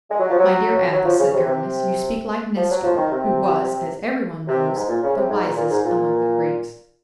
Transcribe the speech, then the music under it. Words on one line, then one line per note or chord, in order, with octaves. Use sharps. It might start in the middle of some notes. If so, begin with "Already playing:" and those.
"My dear Athos," said Aramis, "you speak like Nestor, who was, as everyone knows, the wisest among the Greeks."
G#3
F#3
F3
F#3
F#3
F3
C#3
C3
C3
F3
F#3
F3
D#3
C3
C3
G#2
A#2
C#3
C3
G#2
A#2
A#2
G#2
A#2